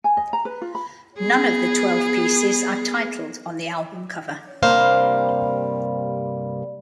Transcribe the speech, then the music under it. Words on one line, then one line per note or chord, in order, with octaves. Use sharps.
None of the twelve pieces are titled on the album cover.
G#5
D#5
A#5
B4
F4
B5
B3 G#4
G2 C3 G3 A#3 C5 F5